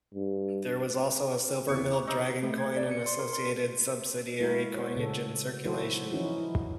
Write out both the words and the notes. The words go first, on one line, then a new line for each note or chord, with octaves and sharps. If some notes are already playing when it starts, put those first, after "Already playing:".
There was also a silver milled dragon coin and associated subsidiary coinage in circulation.
G2
E2 C#3 E3 C#6
C5 E5 D6
D#4 C#6 D6 E6
A3
G#6
D5
C#7
C6
A#4
C6
G#3 A#3 E4 F#4 A#4
F#4 C5 C#5
A#2 C#3 G#4 A4
D#3 F#3 E4 F#4 A4 C5
E3 F3 C#4 D#4 E4 F#4
E4